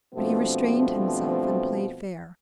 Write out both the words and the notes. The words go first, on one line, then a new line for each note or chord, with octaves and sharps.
But he restrained himself and played fair.
G2 B2 F3 A3 C4